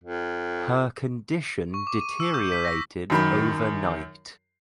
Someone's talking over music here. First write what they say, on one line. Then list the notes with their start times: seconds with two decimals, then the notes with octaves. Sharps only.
Her condition deteriorated overnight.
0.04 F2
1.74 C#6
1.87 D6
2.01 D#7
2.20 E6
2.34 G6
2.52 B6
2.65 A#6
3.10 F#2 D#3 B5